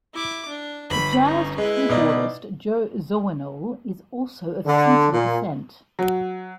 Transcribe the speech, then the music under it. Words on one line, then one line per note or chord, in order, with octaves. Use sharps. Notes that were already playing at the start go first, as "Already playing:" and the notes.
The jazz keyboardist Joe Zawinul was also of Sinti descent.
E4 D6
D4
G1 B5
C#4 D#4
G#3 E4 B4
B2 D#4 D5
D3
A#2
F#3